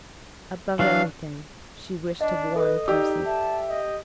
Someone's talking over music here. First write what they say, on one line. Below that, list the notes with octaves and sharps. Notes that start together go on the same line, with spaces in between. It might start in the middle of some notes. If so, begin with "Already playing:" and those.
Above every thing, she wished to warn Percy.
E3 F#3 D4 F5
D4 D#5
A4 B4 D#5 D#6
D#4 G4 D5 E6
E5 A5
D#5